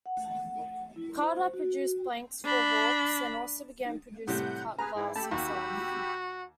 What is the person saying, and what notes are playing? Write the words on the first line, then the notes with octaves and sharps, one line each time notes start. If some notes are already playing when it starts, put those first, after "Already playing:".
Carder produced blanks for Hawkes and also began producing cut glass himself.
F#5
E4
C5
F#4
D4 B5
A2 C3 G3 F#5 G6
G#4 B4 A#5 F6
G#2 E3 E4
A3 G4 A5 B5 E6
D#2 F#4